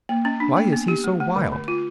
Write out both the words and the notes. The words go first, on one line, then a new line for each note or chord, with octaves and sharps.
"Why is he so wild?"
A#3
C#4
D4
A#3
B3
G4
A3
A3
D3
D3
F4